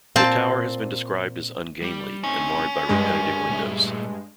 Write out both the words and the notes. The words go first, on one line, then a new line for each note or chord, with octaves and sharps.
The tower has been described as "ungainly", and marred by repetitive windows.
A#2 C4 A5
G3 G4
A3 C4 C#4 D#4
G2 G#3 A#4 D#5 G#5
A#2 A3 E5